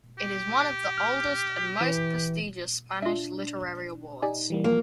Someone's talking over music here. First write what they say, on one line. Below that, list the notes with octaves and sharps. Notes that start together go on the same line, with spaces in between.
It is one of the oldest and most prestigious Spanish literary awards.
G4
F6
E3
D4 F4 E5
D#4 G4 D5 G#5
E3 G3 A#3
F3 A#3 F4 C7